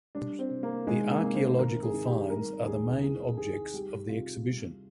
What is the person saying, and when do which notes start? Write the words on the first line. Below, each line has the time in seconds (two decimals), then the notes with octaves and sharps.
The archaeological finds are the main objects of the exhibition.
0.15 G3 D4
0.39 C4
0.50 C3
0.63 A#3
0.87 D#3 G#3
1.11 A#3
1.23 C3
1.35 C4
1.58 G#1 A#4
1.83 G#4
1.93 D#3
2.06 G4
2.30 G3 A#4
2.66 D#2 G#4
3.01 C2 G#4
3.37 D#3 G#4
3.74 G3 G4
4.09 C3 F4
4.44 G3